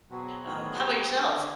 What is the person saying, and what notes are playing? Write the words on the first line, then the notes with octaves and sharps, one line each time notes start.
um, how about yourself?
B2 F#3 C4 F#4 G#4
A2 F#3 B3
G4
D3 D4 G#5